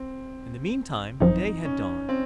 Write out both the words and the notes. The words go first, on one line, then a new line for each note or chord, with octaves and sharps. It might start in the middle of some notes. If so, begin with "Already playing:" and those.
In the meantime day had dawned.
Already playing: C4
G#1 F#2 F3 C4 D#4
C#4
C4